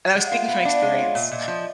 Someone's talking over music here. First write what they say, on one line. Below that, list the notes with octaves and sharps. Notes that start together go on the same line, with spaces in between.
and I was speaking from experience.
G#3 F#5
F5
F4 E5
B3 F5
D4
G#3 C#5
F4 D5
D#5
A#2 E5
A#2 D#5
F3 D5